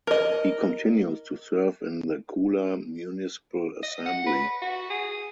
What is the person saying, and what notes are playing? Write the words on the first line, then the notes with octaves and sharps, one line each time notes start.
He continues to serve in the Kula municipal assembly.
A#4 D#5
D#5
F#5
B4
F#4
G#4